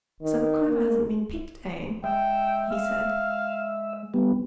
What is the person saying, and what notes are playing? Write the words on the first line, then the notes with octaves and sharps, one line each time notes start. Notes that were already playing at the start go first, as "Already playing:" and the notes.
"So the clover hasn't been picked, eh?" he said.
D#3
A#3
G#3 E5 G5
G#3 F5
G3 B3